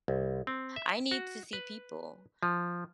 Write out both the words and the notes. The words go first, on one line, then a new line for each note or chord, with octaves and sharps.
I need to see people.
C2
C4
E5
F#4
B4
F3